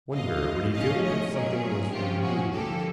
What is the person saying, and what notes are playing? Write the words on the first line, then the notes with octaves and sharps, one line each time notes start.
Wonder would he feel it if something was removed.
E2 C3 E3 D#5 F5
A2 F3 A3 C#4 D#5 F5
C#5 D#5
A#2 F#3 A3 C#4 G#4 A#4
C3 F3 A#3 C#4 F4 G4
F#4 G#4
G2 D3 F3 A#3 G4 A4